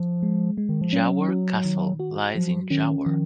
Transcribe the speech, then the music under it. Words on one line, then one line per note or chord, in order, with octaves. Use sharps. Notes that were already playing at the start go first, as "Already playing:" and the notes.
Jawor Castle lies in Jawor.
Already playing: F3
G#3
G#3
D#3
F3
F#3 C#4
F#4
D#3
F#4
F3 F#3
D#3 C#4
D#3 F3